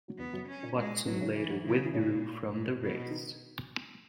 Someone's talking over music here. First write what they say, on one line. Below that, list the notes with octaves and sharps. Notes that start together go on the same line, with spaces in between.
Watson later withdrew from the race.
F#3
E2 E3 B3
F#2 F#3
C#4
A#2 A#3
A#2 G#3 A#3
B2 F#3 B3
C#3 C#4
E3 F#3 F#4
F#3 F#4
C#3 E3 E4
F#3 F#4
E3 E4
A#2 C#3 C#4
G#2
B2
D#3 D#4